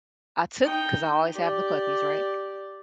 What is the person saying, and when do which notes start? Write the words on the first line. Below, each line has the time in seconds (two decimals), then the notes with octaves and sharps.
I took, 'cause I always have the puppies, right?
0.64 D#4 G5
1.34 G4 D5